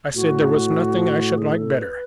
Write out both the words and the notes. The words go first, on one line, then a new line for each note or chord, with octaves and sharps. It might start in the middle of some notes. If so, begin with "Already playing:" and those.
I said there was nothing I should like better.
A2 F#4
G#4
A4
B4